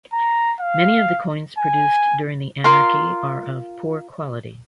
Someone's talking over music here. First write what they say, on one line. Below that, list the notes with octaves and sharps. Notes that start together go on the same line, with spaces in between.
Many of the coins produced during the Anarchy are of poor quality.
A#5
F5
G#5
F4 A#4 F5 C6